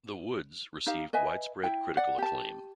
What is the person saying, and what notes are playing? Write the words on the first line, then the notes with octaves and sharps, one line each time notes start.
"The Woods" received widespread critical acclaim.
D#4 G4 F5
B4 D#5 E5 G#5
E4 G5
D5 F#5
G4 A5